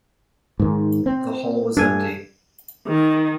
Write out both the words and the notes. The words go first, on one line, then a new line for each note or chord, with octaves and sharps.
The hall was empty.
G#2 D#3
C4
G2 D4 A4 G#5
D#3